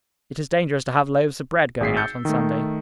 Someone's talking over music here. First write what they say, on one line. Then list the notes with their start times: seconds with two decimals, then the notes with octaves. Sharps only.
It is dangerous to have loaves of bread going out on Sunday.
1.80 G#1 G#4 B6 C7
1.97 E6 G6 A6 C#7
2.25 D#3 A3